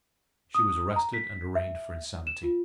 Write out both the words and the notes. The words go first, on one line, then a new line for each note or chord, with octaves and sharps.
She was arrested and arraigned for insanity.
D#6
A#5
B6
E5
E7
F4